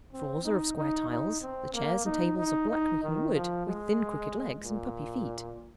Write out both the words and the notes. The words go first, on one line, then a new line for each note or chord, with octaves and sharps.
The floors are of square tiles, the chairs and tables of black-looking wood with thin crooked legs and puppy feet.
C4
D#4
D#4
D#4
C4
A#3
D#4
D#4
D#4
D#3
F3
G#3
A#2